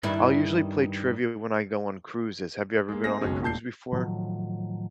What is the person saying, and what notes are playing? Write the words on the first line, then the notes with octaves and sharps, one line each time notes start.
I'll usually play trivia when I go on cruises, have you ever been on a cruise before?
G2 D#3 E4
G#3 A#3
A3 C4 G#4 A#6
F#1 B1 B2 G#3 C#4
E1 A#2 A5 G6 C7
A2 D#3 F3 F#3